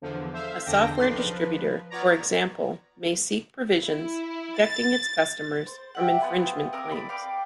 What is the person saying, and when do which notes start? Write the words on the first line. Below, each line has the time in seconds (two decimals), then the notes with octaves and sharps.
A software distributor, for example, may seek provisions protecting its customers from infringement claims.
0.02 E2 D3 F3
0.33 C5 E5 F5
0.66 E2 D3 D4 G5 A#6
0.96 B1 C#3 D#4 D5 C6 C7
1.08 F3 B4
1.90 B3 F4 C#5 D5 A#5
3.82 E4
4.59 A6
5.66 C5
5.95 G4 E5 F#5
6.21 B3 F4 C5 G#5
6.73 C4 A#4 D6 D#6
6.91 D5 B5
7.09 F5 G5 D6